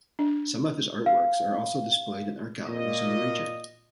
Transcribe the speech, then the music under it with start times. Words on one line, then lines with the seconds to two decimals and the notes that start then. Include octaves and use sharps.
Some of his art works are also displayed in art galleries in the region.
0.19 D4
1.06 F5
2.67 A#2 D#5